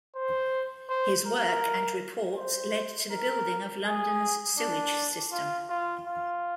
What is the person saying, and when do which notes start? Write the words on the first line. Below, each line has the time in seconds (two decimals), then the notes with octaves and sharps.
His work and reports led to the building of London's sewage system.
0.16 C5
0.89 C5
1.27 A#4
2.37 C5
3.11 A#4
3.85 G#4
4.59 D4
5.32 F4
5.70 F4
6.06 F4